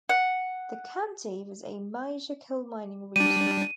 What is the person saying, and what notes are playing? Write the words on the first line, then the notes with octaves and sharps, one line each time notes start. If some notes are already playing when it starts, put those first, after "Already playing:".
The county was a major coal-mining region.
F#5
G3 D4 D#7